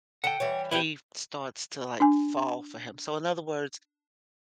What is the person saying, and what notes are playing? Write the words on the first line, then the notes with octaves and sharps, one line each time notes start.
He starts to, like, fall for him. So in other words,
D3 A4 F#5 G5
E3 G3 C#5
C4 D4 E4 G4 B4
D4 G#5